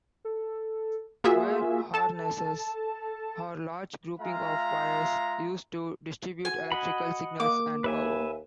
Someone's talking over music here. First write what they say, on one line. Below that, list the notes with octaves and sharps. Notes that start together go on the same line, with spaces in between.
Wire harnesses are large groupings of wires used to distribute electrical signals and power.
A4
A#3 F4 F#4 G#4 E5
A4 A5
G#3 F4 E5 F5 A#5
F#4 G#5
D#5 F#5 B5
A#3 D6
D#2 B4 E5 G#5